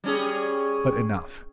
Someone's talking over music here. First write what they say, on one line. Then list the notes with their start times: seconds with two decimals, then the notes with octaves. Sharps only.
But enough....
0.04 G3 C#4 G#4